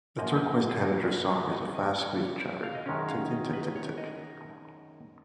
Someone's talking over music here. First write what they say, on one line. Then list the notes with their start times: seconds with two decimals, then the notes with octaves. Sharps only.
The turquoise tanager's song is a fast squeaky chatter "tic-tic-tic-tic-tic".
0.18 F#2 F3 A#3 D#5
0.36 B4
0.52 A#4
0.69 G#4
0.85 A#4
1.08 B4
1.30 C#5
1.52 D#5
1.75 D#5
1.98 C#5
2.63 F5
2.75 D#5
2.86 F#2 D#3 G#3 C#4 C#5
3.08 F5
3.31 D#5
3.53 B4
3.76 C#5
3.98 D#5